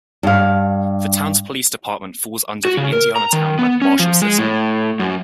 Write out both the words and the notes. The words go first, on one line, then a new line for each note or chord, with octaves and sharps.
The town's police department falls under the Indiana town marshal system.
G2 F5
F#4
C#3
A#4
A#5
D#3
B3
C#4
F3
G#3
A2
F#2